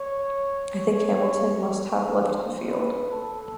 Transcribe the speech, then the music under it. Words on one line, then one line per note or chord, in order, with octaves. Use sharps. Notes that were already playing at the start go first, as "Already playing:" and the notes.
I think Hamilton must have left the field.
Already playing: C#5
C5
B4
A4